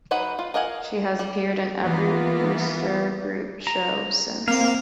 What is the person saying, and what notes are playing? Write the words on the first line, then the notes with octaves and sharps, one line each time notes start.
She has appeared in every Wooster Group show since.
F#3 D#4 B4 F#5 B5
F4
A#4 D#5 F5 F#5 G#5
G3
E3 A#3 B3 F4
A#5
A#3 C4 F5